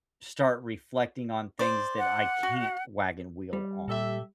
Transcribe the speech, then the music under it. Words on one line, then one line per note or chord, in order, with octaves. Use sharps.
start reflecting on things that I can't wagon wheel on,
C5 D5
F#5
F#4
G3
A#2 G4 A4 E5